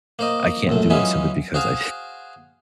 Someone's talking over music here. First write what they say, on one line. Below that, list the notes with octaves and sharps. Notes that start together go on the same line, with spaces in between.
I can't do it simply because I
A#3 C5 D#5
A#1 F#2 A3
E3 F#3 G#3 C#4 E4 F4
F#4 G#4 C5 F5